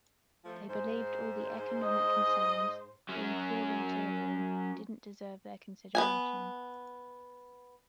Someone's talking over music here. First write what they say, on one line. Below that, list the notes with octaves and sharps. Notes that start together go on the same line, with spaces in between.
They believed all the economic concerns, being purely material, didn’t deserve their consideration.
F3 A3
G#2 C5
D#5
F#3 C#4
B3 F#5 G#5